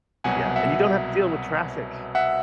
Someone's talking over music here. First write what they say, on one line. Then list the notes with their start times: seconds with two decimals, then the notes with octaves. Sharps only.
Yeah, and you don't have to deal with traffic,
0.24 C2 B2 F#3 F#5 G#5
0.56 E5 F#5
2.15 E5 F#5